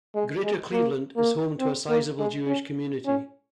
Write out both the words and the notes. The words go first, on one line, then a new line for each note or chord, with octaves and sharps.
Greater Cleveland is home to a sizable Jewish community.
G#3
G#3
A#3
A#3
C4
A#3
G#3
C#4
C#4